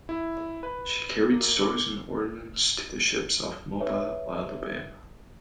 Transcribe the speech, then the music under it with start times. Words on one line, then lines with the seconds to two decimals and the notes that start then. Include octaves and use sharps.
She carried stores and ordnance to the ships off Mobile, Alabama.
0.09 E4
0.63 B4
1.31 A#3
1.61 D6
3.80 G#4 B4 C#5 E5